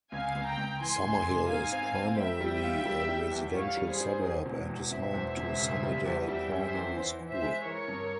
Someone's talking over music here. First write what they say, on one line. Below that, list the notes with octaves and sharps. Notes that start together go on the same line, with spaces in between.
Summerhill is primarily a residential suburb and is home to Summerdale Primary School.
C#2 F5 G#5
C#2
G5 A#5
C#2
E3 G#5 C6
C#2
C3
G#2 F5 G#5
C4
C4
C4 E5 G5
G3
F4
G3
G3
E2
G3 C#5 F5
G3
G#4 C5
G3
E2
E1
E2
E1 C5 E5
E2
E1
C#3
G3
E2
G3 E5 G5
C#4
C5 E5
E2
E3
E3
C5 E5
G#3
E3 A#4 C#5
G2